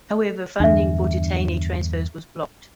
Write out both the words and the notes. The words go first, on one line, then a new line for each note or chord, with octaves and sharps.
However, funding for detainee transfers was blocked.
E2 G2 D3 D4 E5